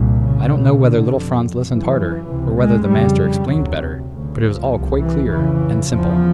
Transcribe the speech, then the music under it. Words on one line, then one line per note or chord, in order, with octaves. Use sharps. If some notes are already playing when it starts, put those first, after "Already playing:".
I don't know whether little Franz listened harder, or whether the master explained better; but it was all quite clear, and simple.
Already playing: C2 A#2
C#3
C#2 B2
D3
F2 C3
F#2 C#3 E3
C#2 C3
G#3
F2 C#3 G3
D2 C3 F#3
D2 C#3
F3
C2 C3
E3
F2 C#3 E3
E2 C#3 F3